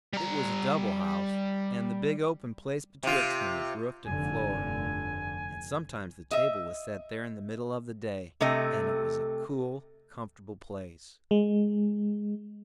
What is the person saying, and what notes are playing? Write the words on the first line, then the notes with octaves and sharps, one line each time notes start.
It was a double house, and the big open place betwixt them was roofed and floored, and sometimes the table was set there in the middle of the day, and it was a cool, comfortable place.
G3 A#5
C3 F4
F1 G2 D3 G#5
D#5 E5
C3 A3 C4 D#5
G#3